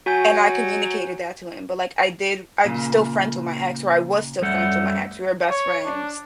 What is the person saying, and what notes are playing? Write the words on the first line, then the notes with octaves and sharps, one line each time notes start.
and I communicated that to him. But, like, I did I'm still friends with my ex, or, I was still friends with my ex, we were best friends.
F#3 F#4 G#5 G6
A#2 C#3
F#2 G3 A3 F#5
C#5
D4